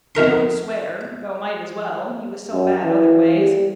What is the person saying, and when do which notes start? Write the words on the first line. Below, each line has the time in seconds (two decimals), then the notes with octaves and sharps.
"Don't swear, though might as well; he was so bad other ways."
0.15 F2 D#3 A#4 C6
2.52 F#2
2.84 E3
3.36 G3